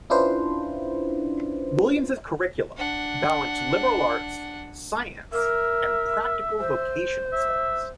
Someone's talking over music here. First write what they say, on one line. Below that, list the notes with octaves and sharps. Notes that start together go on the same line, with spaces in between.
Williams' curriculum balanced liberal arts, science and practical vocational studies.
C#4 D4 E4 F4 B4 C5
D4 F#5
A#4 E5
C5
E5